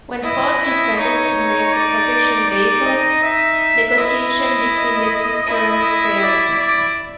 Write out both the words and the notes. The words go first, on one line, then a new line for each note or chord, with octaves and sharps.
When Ford decided to make the production vehicle, negotiations between the two firms failed.
E4 D#5
E4
D#4 C#5
D5
D5
D#5
E5
E4 D#5
E4
D5
D5